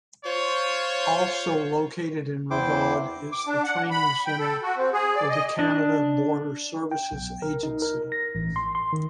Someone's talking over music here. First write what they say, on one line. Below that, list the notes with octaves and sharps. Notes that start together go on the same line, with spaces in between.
Also located in Rigaud is the training center for the Canada Border Services Agency.
F4 C5 C#5
E2 E3 E4 C5 G5 D6
D6
D4
F#5
B5
G5
A4
F#4
C4
G#4
D5
D#5
D4
G5
B1
A#4
D#4
A#4
A#6
A1
C6
C6
D#3